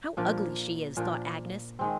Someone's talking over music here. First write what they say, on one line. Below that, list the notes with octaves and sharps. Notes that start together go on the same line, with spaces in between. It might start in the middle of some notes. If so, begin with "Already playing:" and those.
"How ugly she is!" thought Agnes.
A#2 F3 A#3 D4
A#2 F3 A#3 D4
D#3 G#3 C4